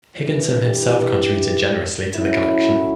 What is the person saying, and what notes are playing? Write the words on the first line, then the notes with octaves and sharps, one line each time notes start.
Higginson himself contributed generously to the collection.
G2 E3
E4 G4
A2 F#3 C#4 E4